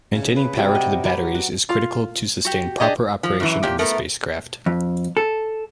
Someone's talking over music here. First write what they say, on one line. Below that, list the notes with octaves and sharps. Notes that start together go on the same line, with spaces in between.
Maintaining power to the batteries is critical to sustain proper operation of the spacecraft.
C#3
B4
C3 F#3 G3 G5
D#5
F#3 G4 B4 C#5
F#4
F4
F#4 G4
D4 G4 G#4 D#5
F3
F#2 E3
A#2 G4
A3 B3 A#4
F2
A4